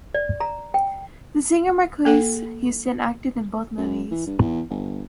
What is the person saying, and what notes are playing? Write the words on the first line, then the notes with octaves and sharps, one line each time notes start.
The singer Marques Houston acted in both movies.
D5
A#5
G5
A#3 A4 F#5
F#2
E3
G2
E2
G1